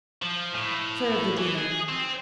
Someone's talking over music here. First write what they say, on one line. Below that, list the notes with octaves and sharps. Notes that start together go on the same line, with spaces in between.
"Serve the dinner."
F3
A2
E3
G#4
C4